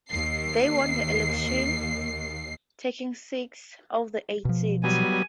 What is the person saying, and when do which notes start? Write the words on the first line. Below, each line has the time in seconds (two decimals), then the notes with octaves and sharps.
They won the elections, taking six of the eight seats.
0.10 D#2 C7
4.45 B2 F3
4.84 F#3 G3 B3 G#5